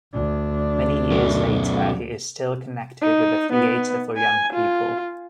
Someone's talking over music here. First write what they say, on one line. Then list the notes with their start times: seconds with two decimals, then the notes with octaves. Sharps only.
Many years later, he is still connected with the Theatre for Young People.
0.13 D2 D4
1.10 B1 F#2
3.02 D#4
3.53 B3
4.17 G#5
4.53 F4